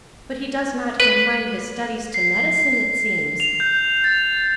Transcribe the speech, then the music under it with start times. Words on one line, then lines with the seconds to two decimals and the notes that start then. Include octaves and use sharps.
But he does not confine his studies to medicine, it seems.
1.00 B4
2.14 C7
3.40 F7
3.60 G6
4.04 A6